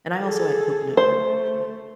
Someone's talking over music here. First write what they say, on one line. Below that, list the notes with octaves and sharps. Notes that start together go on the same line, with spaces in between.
and I also add coconut milk to it.
G#4 A4
A3 C5